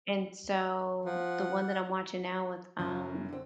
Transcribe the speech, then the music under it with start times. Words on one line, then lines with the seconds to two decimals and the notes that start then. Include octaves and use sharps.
and so the one that I'm watching now with, um,
1.06 F3 F#5
2.79 F#1 F#2
3.29 D3 C4